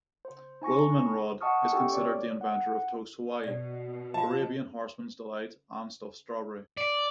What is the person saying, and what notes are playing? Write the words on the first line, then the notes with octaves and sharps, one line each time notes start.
Wilmenrod is considered the inventor of Toast Hawaii, "Arabian Horseman's Delight" and "stuffed strawberry".
C5
D#4 G#5 C#6 A#6
D#5 F#5 A5 C#6 D#6 F6
C#4 E4 G4 A4 G5 C#6
C#5 D5 D6
F#5
B2 D5
F3 F4 D#5 A5
D5